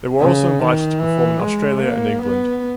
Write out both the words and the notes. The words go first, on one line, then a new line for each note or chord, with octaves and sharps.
They were also invited to perform in Australia and England.
C#3
D#3
E3
G#3
A#3
B3